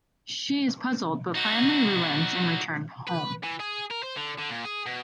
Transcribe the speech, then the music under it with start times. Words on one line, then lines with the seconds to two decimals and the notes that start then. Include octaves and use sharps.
She is puzzled but finally relents and returns home.
1.35 D#4 F#4
3.08 B4
3.43 E3
3.60 G#4
3.91 A#4
4.03 C5
4.17 D3
4.39 D3
4.51 A#2
4.66 G#4
4.86 B2